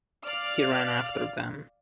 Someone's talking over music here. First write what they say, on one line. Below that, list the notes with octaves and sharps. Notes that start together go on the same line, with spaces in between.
He ran after them.
D5 F5 F6